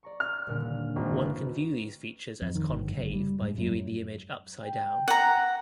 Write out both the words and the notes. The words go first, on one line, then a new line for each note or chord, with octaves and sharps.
One can view these features as concave by viewing the image upside-down.
D5 A#5 C#6
F6
D#1 A#2 D3
G#1 E2
B4 E5
F2
D#3
G1
F#1
G3
G#2
F#2
G5
F#5 A#5